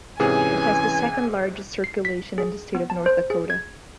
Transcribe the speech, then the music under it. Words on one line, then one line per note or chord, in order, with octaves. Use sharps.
It has the second largest circulation in the state of North Dakota.
G#2 C3 E3 C#4 G#4 G#5
C7
B6
G#4
B3
A5
C5
G#4
G#6